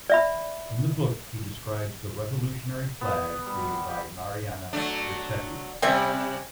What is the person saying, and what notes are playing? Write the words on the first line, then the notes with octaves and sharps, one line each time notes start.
In the book he describes the revolutionary flag created by Mariana Bracetti.
D5 E5 B5
B3
G3
G4
F#3 A3 D4
C3 G3 C4 C#4 E5